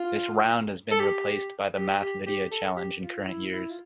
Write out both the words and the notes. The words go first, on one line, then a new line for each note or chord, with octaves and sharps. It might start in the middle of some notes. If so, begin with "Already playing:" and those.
This round has been replaced by the Math Video Challenge in current years.
Already playing: F4
A4
G4
G4
G4
G4
A4
G4
F4
E4
E4
F4